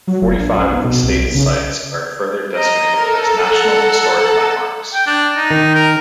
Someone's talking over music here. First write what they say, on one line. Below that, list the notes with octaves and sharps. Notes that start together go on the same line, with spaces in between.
Forty-five of the state's sites are further designated as National Historic Landmarks.
F#3
F#1
A#1
F#2
B1
B2
C2
B1
C#3
D#5 A#5
A4 A#4
F#5 A#5
G5
D4
D#4
D#3
A#4